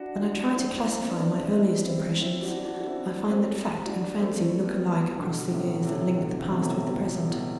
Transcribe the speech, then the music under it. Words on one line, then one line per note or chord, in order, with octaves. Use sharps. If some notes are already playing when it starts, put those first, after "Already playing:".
When I try to classify my earliest impressions, I find that fact and fancy look alike across the years that link the past with the present.
Already playing: D4 E4 F#4
D4 F#4
C4 E4
C4 E4
B3 D4
C4 E4
C4 E4
C4 E4
C4 E4
D4 F#4
D4 F#4
F#4
C4 E4
A3 C4
D4 F#4
A3 C4
A3 C4
G3 B3
G3 B3
B2 D3
A2 C3
A2 C3
B2 D3
C3 E3
B2
A2 C3
B2
A2
B2